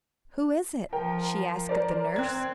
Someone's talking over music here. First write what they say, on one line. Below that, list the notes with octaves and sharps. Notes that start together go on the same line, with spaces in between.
"Who is it?" she asked of the nurse.
F3 A#4 G5
A#4 C5 D5
C4 F#6 G#6